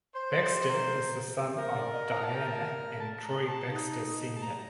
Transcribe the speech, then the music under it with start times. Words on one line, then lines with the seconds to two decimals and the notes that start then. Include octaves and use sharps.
Baxter is the son of Dianna and Troy Baxter Sr.
0.16 C5
0.35 A#4
0.52 G4
0.69 A#4
1.58 A#4 C5
1.76 D5
1.93 D#5
2.12 A#5
2.24 A5
2.34 G5
2.46 A5
3.00 A5
3.24 A#5
3.48 A5
3.71 D#4
4.36 A5
4.42 A#5